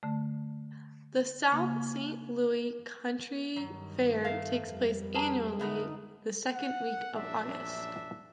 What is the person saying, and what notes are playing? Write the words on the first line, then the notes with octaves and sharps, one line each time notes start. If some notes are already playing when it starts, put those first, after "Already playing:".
The "South Saint Louis County Fair" takes place annually the second week of August.
D3 A3
C#3 A#3
G2 D#3 F#3
A3 A#4 F5
F2 G3
G#4 B4 A5 A#5
D3 A3 B3 D#4 A#4
F#5
A#1 F#2 D4 E5